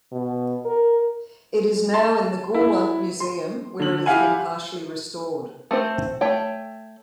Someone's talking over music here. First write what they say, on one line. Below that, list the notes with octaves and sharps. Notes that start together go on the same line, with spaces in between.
It is now in the Goolwa Museum, where it has been partially restored.
B2
A#4
A5 C6 A6
E4
C6
D3 F#7
E4 G4 F5 F#5 G#5
A3 C4 C5
A3 C#5 G5